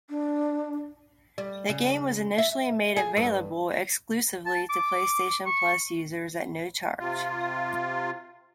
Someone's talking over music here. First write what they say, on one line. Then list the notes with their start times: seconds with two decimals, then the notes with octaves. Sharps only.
The game was initially made available exclusively to PlayStation Plus users at no charge.
0.10 D4
1.38 G3
1.69 C#3
2.38 E5
2.96 G#4
3.17 G2
4.46 A5
4.70 D6
5.46 C#6
6.99 C3 F4